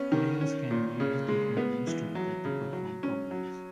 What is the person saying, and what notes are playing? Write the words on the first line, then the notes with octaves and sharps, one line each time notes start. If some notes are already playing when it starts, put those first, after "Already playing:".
Players can use different moves together to perform combos.
Already playing: B3 C#4
D#3
C#4
A#2
C#3
G#3
B3
E3
F#3
C#3
F#3
C#4
F#3